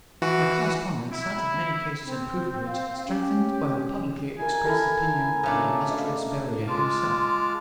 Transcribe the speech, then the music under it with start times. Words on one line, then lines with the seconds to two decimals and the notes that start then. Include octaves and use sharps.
My correspondent cited many cases in proof of it, strengthened by the publicly-expressed opinion of the illustrious Berryer himself.
0.22 E3 F#4
1.12 E4
2.05 C4
2.67 F5
3.07 C#4 G4
4.39 E4 A#4 G#5
4.65 E4 A4 A#4
5.43 C#3 A3 D4
5.91 E5 F5
6.67 G#3 F4 A5 D6 F6